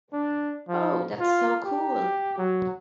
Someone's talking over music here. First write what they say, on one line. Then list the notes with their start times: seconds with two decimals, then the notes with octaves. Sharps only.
Ooh! That's so cool!
0.13 D4
0.69 F3
1.20 F4
1.65 G4
2.38 F#3